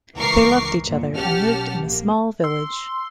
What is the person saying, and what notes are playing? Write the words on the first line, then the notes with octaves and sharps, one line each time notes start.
They loved each other and lived in a small village.
C#2 E3 A#4 C#6 D6 C7
G2 A#2
B1 C#4 G4 F#5 A5 F6
A#1 A#3
C6 E6